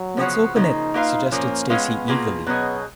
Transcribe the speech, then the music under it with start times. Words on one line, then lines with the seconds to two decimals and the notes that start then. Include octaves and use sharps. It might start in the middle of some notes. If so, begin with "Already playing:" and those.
"Let's open it," suggested Stacy eagerly.
Already playing: F#3
0.17 C#3 F3 B3 F#4
0.55 C#3 F3 A#3 D#4
0.94 A#3 F4 B4 F5
1.32 A#2 F3 A#3 C#4
1.70 G#3 B3 C#4 F4 B4 F5
2.08 B2 A#3 F4 G#4 B4
2.46 B2 F#3 B3 C#4 G#4 D#5